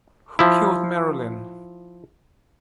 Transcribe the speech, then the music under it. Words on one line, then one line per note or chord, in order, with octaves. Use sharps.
Who Killed Marilyn?
F3 E4